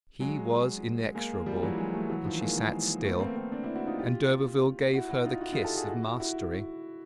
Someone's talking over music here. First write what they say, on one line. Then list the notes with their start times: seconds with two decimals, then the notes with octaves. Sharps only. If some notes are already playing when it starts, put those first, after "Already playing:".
He was inexorable, and she sat still, and d'Urberville gave her the kiss of mastery.
0.20 F#3 G#3
1.15 G#3 A#3
1.46 F3 G3
1.62 E3 F#3
1.78 F#3 G#3
1.94 G3 A3
2.10 E3 F#3
2.25 D#3 F3
2.41 G#3 A#3
2.57 G#3 A#3
3.04 A3 B3
3.20 A#3 C4
3.36 A#3 C4
3.52 C4 D4
3.64 D4 E4
3.75 E4 F#4
3.87 D#4 F4
3.99 F4 G4
4.93 E4 F#4
5.09 E4 F#4
5.25 D#4 F4
5.41 E4 F#4
5.53 D#4 F4
5.64 G4 A4
5.76 F#4 G#4
5.88 E4 F#4
6.04 E4 F#4
6.20 E4 F#4